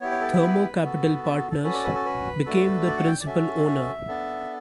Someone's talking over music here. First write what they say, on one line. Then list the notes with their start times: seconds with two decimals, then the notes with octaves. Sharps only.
Thermo Capital Partners, became the principal owner.
0.01 B3 E4 G4 C#5
0.11 C#5
0.21 A4
0.31 B4
0.42 B4
0.82 B3 F#4 A4 B4
1.23 B4
1.36 A4
1.50 A4
1.63 C#4 F#4 A4 B4
1.73 D5
1.84 B4
1.94 A4
2.05 B4
2.46 A3 D4 F#4 A4
2.86 D5
2.97 F#5
3.07 G5
3.20 D5
3.26 C#4 F#4 A4 E5
3.67 E5
4.08 B3 D4 A4